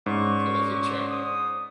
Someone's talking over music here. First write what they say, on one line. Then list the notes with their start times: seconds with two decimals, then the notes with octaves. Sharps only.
For the future.
0.06 G#2 C#4 C5 D5 C#6
1.10 D#6